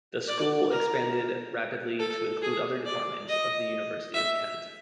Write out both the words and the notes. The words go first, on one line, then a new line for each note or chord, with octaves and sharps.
The School expanded rapidly to include other Departments of the University of Kent.
D5
A#4
A4
G#4
D5
D#5
E5